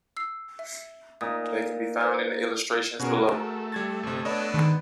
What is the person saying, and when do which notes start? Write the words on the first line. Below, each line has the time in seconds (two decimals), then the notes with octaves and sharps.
They can be found in the illustrations below.
0.17 E6 C7
0.59 E5
1.21 A#2 D#4 D#6
2.01 B4 C5
3.00 B2 C#4 F#4 G#4 A#4
3.29 A3
3.72 G3 G#6 A6
4.03 G1 C3
4.25 B3 D4 B4 C#5 D#5
4.54 G#2 D#3